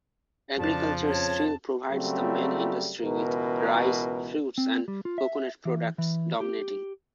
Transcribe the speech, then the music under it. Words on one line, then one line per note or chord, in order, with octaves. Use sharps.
Agriculture still provides the main industry with rice, fruits, and coconut products dominating.
F2 C#3 F3 D4 A5
C#5 A5
C#3 F#3 G3 A3 C4
C#2 B2 E3 A#4
C4
G3
F4
E5
E3
E3
G4